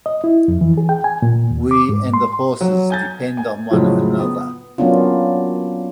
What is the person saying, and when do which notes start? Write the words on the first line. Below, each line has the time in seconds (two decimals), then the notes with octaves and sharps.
We and the horses depend on one another.
0.06 D#5
0.24 E4
0.48 F2
0.61 E3
0.78 G#4
0.89 G5
1.04 G#5
1.22 A#2
1.51 D#2
1.71 D6
1.89 G#2
2.14 C6
2.61 F#3
2.90 G#5 G6 A6
3.37 G#5
3.70 F2 A2 C#3 F#3 G#3
4.19 B3
4.78 F#3 A#3 B3 C#4 D4 F4